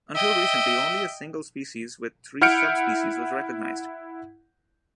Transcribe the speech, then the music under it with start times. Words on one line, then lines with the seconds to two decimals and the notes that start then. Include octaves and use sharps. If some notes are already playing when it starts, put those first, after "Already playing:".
Until recently only a single species with three subspecies was recognized.
0.15 D#5 E5 G5
2.41 E4 F#5 F6 G6 C#7 D7